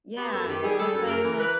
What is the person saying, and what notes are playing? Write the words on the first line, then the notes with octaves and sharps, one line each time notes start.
yeah, and so it's been
B3 G4
F#2 A4
D#3 G4
G3 G#4
G3 A4
F#2
C#3 A#4
E3
B4